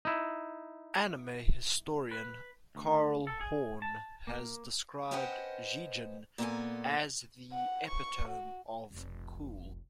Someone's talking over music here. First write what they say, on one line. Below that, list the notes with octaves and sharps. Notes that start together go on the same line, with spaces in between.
Anime historian Carl Horn has described Jigen as "The epitome of cool".
D#4 E4
B4
D2
A4
G#4
A5
A#3
C#4 B4 C5 D#5 F#5 G5
A#2 A#3 B3 E4 A4 G#5
F#5
C#6
F#4
F1 B1